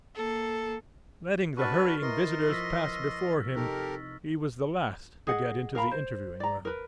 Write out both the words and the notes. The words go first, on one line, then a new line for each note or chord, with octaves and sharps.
Letting the hurrying visitors pass before him, he was the last to get into the interviewing-room.
A#3 A4
D4 F#4 B4 C#6 F6 A6
E4 A#4 B4 D#5 C6
F3 E6 A#6 B6
C3 D#4 G4 A4 A#4
G#4 D#5 F#5
A#4 F5 A#5 B5
C5
D5 A#5
A#4 B4